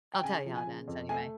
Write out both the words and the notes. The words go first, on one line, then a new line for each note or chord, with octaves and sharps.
I'll tell you how it ends anyway.
G5
C#3 G#5
F3
G#5
C#3
F2
A3 G#5